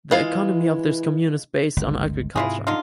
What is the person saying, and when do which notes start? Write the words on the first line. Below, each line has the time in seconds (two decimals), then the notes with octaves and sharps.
The economy of this commune is based on agriculture.
0.11 E3 G#3 F4 F5
1.77 G1 C#2
2.36 G#2 C3 E4 F4 G#4
2.67 D3 D#4 F4